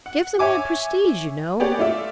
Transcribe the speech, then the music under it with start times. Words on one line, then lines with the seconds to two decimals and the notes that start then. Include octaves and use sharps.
'Gives a man prestige, you know.
0.06 F#5
0.39 C#5 E5 G#5 D6
1.60 A#3 B3 G4 G#4 C#5 D5
1.79 A3 F4 D5 E5